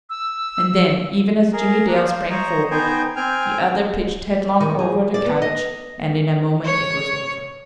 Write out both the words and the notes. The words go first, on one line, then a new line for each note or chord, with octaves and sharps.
And then, even as Jimmie Dale sprang forward, the other pitched head long over the couch--and in a moment it was over.
E6
G#4 A#4
A#3 D4
C5
C5 C#5 D#5 A#5
B3 D#4 C5 D#5 G5 G#5
C4 G5 G#5 F6
D#3
G#4
D5
B3
D#5
C#5